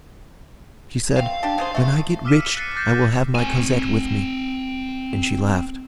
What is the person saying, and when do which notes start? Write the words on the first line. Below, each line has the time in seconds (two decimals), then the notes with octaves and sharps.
She said, "When I get rich, I will have my Cosette with me;" and she laughed.
1.17 A3 C4 F5
1.43 D4 G4 A5
1.58 C#3 G#4 C5
1.75 A3 F#4
2.25 D6 E6 F6 B6 D#7 E7
2.42 C#7
2.57 F#6 A6 C7 C#7 D#7
2.76 D6 F#6 G6 A6 A#6 C7
3.35 C4 G#5